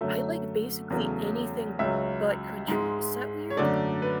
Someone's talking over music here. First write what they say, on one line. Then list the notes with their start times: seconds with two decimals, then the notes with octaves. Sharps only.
I like basically anything but country. Is that weird?
0.01 F#2 D3 F#3 A3 E5
0.90 E2 C#3 F#3 A3
1.79 C#2 C#3 F#3 E5
2.68 G#2 G#3
3.50 C#5
3.57 F#2 D3 A3 D5
4.02 B4